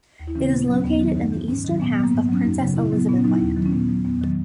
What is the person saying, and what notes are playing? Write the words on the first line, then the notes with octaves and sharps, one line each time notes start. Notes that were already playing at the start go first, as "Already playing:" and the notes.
It is located in the eastern half of Princess Elizabeth Land.
D#2
E4
C#3 E3 B3 C#4
A#2 A#3
F#3 C#4
D#2 B3
D#3 F#3
F#2 D#4
E3
G#2 C#4
D#3 F#3
A#2 B3
F#3 B3
A#3
G#2 B3
F#3 C#4
F#2 D#4
C#3 F#3
A#2 E4
F#3 B3
A#2 B3
C#4
F#3 D#4
E4
D#2
D#3 F#3
C#4
A#2 B3
F#3
E2 B3
D#3 F#3